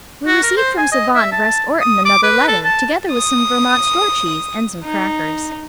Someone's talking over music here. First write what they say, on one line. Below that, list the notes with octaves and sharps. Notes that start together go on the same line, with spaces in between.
We received from savant Vrest Orton another letter, together with some Vermont store cheese and some crackers.
F#4
A#4
C5
G#5
D#5
E5
A5
D#6
D6
B4
A4
A5
D#6
D#4